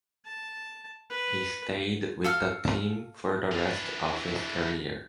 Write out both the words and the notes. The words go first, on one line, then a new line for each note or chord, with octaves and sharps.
He stayed with the team for the rest of his career.
A5
B4
A4 F5 E6 F6
E3 D4